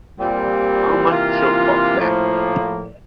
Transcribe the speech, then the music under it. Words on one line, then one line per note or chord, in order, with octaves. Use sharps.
How much should Bob bet?
A#2 G3 C4
C3 E3 A#3 F4
A2 F3 A#3